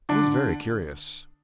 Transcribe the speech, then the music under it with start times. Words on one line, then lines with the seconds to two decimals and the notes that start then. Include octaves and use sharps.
It was very curious.
0.09 D3 D4